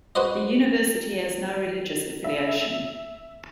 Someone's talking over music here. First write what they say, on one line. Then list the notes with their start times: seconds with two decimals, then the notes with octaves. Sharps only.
The university has no religious affiliation.
0.15 F#4 B4 C5 D#5
2.24 E5